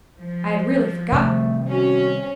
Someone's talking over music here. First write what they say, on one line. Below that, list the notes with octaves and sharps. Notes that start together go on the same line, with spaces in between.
I had really forgotten.
F3
C3 D#3 G3 A3
C#4 F#4